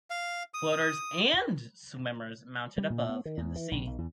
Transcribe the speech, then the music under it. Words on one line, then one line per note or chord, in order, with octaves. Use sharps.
Floaters and swimmers mounted above in the sea.
F5
D#6
G3
A#2
B3
D#3
E2
E3
A#1
B1
E2